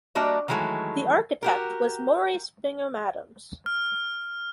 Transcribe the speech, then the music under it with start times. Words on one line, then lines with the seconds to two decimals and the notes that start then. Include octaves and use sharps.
The architect was Maurice Bingham Adams.
0.15 G3 A#3 D4 F#4 D#5 E5
0.48 D#3 E3 F#3 G#3 A3
1.43 F#4 G4 A#4
3.66 F6